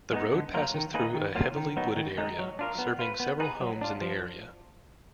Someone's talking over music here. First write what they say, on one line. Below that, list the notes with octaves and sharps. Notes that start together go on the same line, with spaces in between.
The road passes through a heavily wooded area, serving several homes in the area.
G#3 B3 D#4
D3
F#3 A#3 F4 A#4
D#3
A#3 D#4 G#4 B4
D#3
F#3 A#3 F4
D#3
F#3 B3 D#4
D#3
G#3 D#4
F#3
D4 F4 A#4
B3
F4 B4
B3
D#4 G#4 B4
F#3
D4 F4
F3